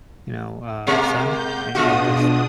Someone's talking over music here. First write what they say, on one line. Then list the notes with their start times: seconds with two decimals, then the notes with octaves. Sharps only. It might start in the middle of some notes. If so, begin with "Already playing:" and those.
you know, uh, son a and just
0.87 B2 G#3 A#3
1.32 G6
1.75 B2 G#3 D4 F4 F#4 D#6